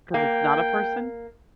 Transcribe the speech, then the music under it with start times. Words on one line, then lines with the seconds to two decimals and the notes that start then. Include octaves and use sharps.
'Cause it's not a person?
0.14 A#3 G5